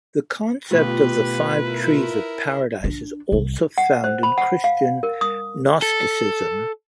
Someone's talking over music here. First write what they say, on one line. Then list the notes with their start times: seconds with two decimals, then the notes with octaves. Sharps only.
The concept of the Five Trees of Paradise is also found in Christian Gnosticism.
0.71 B2 A3 F4 G4 B4
1.63 E4 A#4
2.84 D4
3.32 C2
3.78 F#5
4.04 C5
4.23 B5
4.38 F#5
4.64 F5
5.03 A#4
5.21 D#6
5.82 A4